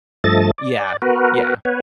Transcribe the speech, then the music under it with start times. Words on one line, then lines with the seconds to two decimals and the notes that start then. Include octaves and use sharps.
Yeah, yeah.
0.24 G2 F3 A3 A4 D#5 A6
0.58 D5
1.02 B3 F#4 A#4 B4
1.65 B3 B4 C#5